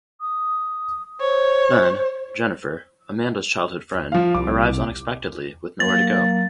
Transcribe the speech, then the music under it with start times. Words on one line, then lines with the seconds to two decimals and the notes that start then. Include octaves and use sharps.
Then, Jennifer, Amanda's childhood friend, arrives unexpectedly with nowhere to go.
0.21 D#6
1.20 C5 C#5
4.12 F3 F5
4.35 C2 D6
5.80 F#3 A#3 A6